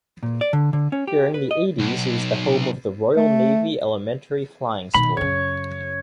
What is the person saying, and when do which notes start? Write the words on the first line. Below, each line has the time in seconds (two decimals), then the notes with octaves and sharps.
During the eighties it was the home of the Royal Navy Elementary Flying School.
0.23 A#2
0.41 D5
0.53 D3
0.73 D3
0.92 C#4
1.07 G4
1.34 B4
1.51 D#5
1.79 B1
3.17 A3
4.94 B2 D#3 B5
5.17 F#2 C#3 C#5